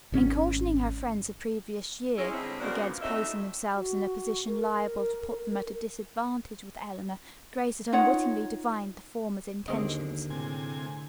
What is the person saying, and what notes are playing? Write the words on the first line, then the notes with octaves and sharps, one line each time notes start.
In cautioning her friends the previous year against placing themselves in a position liable to put them at a disadvantage with Eleanor, Grace had unwittingly divined the former's intentions.
G#1 D3 C#4
G#3 C#4 E4
D3 G3 G#3 C4 E4 C#5
F#2 C#3 F3 A#3 B3 D4
F2 A2 F#3 D#4 E5
F#4
A#4
D#4 F4 C#5 F#5
D#2 D3 C4 G#4 A#4 D#5
A2 C3 G#5